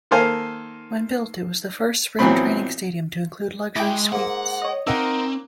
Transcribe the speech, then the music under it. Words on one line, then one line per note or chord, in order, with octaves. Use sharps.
When built, it was the first spring training stadium to include luxury suites.
D#3 A#3 A4 C5 F5 G#5
A#1 E3 F#3 B3 C4 B5
G#3 E4 G5 B5 C#6 D6
G#2 A#3 F#5
C#5 D#5
A#3 C4 D#4 A#4 F#5 E6